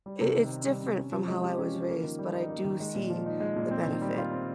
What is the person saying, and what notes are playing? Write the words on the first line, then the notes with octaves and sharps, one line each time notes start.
it it's different from how I was raised, but I do see the benefit
G3
C3
D#3
C4
G3
C3
C#4
F3
G#3
G4
C#4
F3
A#3
D#3
G3
D#4
A#3
D#3
G#3
A#2
F3
D#4
G#3
A#2
C4
D#3
G3
F4
C4